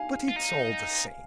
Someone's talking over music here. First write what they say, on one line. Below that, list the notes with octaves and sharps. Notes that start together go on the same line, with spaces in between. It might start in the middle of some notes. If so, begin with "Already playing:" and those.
But it's all the same.
Already playing: F5 G#5
F4
D#4